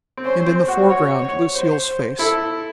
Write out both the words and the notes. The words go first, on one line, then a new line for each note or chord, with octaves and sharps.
And in the foreground Lucille's face.
C4
C#4 C5
C4
F#4
F#4 C#5
C#5
C5
E4 A4